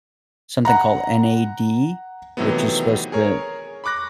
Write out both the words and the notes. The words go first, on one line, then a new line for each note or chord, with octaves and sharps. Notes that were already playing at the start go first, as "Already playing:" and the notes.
something called N-A-D which is supposed to
F#5 A#5
C3 D#3 E3 F#3 A3 B3
G#4 A#4 C#5
B5 C#6 D6 F#6 A#6